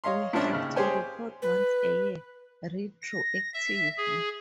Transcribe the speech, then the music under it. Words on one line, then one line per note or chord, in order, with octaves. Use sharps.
We have to report once a year, retroactively.
C#5 D#5 F5 C6
A2 F3 C#4 D4 E4
D#2 C#3
G4 G#4 C5 C#5 G5 G#5
B4
A#6
E5
G#4